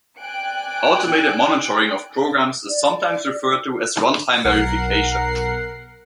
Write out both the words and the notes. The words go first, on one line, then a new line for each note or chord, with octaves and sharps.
Automated monitoring of programs is sometimes referred to as runtime verification.
D5 G5 G#5 F#6 D7
D5
B1 A#4 F#5 C7